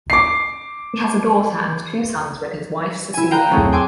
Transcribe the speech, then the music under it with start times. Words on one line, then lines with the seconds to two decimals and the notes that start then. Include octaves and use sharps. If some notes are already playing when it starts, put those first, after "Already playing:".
He has a daughter and two sons with his wife Cecilia.
0.10 D6 C7
3.14 E4 G#5
3.31 F5 G5 A#5 B5 F#6 G6
3.51 F#3 A3 C4 F#4 G#4
3.72 G5 G#5 C6 D6 E6